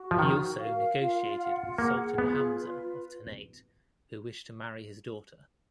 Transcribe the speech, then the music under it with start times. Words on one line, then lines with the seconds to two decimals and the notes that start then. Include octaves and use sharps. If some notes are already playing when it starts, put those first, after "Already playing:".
He also negotiated with Sultan Hamza of Ternate who wished to marry his daughter.
Already playing: F#4
0.11 F3
0.19 D#3 A#4
0.59 F5
0.98 F4
1.39 F#5
1.78 A#3 G#4
2.18 B3 F4
2.59 B4